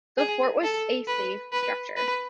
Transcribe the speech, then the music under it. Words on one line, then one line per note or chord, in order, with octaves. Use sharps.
The Fort was a safe structure.
G#4
A4
B4
B4
B4